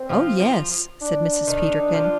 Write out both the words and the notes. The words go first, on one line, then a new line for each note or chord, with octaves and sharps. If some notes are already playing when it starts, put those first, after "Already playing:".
"Oh, yes," said Mrs. Peterkin.
Already playing: C4
F3 F4
F3 F4
D4
D#3 D#4
F3 F4